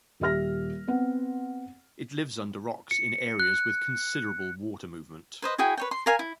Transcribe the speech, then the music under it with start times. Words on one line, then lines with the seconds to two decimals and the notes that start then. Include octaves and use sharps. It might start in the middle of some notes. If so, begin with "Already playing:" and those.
It lives under rocks in areas with considerable water movement.
0.20 D#1 G4 E5 F6 A#6
0.88 B3 C4 F#5
2.91 C#7
3.40 F#6
5.42 B4 C5 D#5
5.58 E4 F#4 G#4 G5
5.77 B4 C#5 G5
5.91 C6
6.06 A#4 F5 G#5
6.19 E4